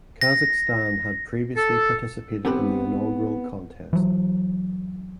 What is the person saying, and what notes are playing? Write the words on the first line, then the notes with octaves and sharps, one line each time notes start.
Kazakhstan had previously participated in the inaugural contest.
A#6
A4
B3 C4 G4 A4 B4 C5
E3 F#3